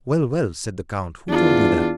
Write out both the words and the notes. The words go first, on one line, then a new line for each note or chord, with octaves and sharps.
"Well, well," said the count, "who told you that?"
E2 D4 F4